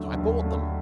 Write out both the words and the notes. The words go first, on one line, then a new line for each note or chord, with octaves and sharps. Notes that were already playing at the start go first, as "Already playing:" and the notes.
So I bought them.
Already playing: D#2 D3 F#3 A3 D4
D#2
D3 F#3 A3 D4